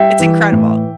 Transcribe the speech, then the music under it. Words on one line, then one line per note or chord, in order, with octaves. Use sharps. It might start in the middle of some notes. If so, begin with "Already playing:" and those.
It's incredible.
Already playing: G3 E5 G5
E3
A2